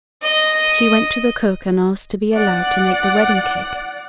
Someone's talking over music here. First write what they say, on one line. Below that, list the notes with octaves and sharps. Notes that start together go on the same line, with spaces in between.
She went to the cook and asked to be allowed to make the wedding cake.
D#5
D5 F#5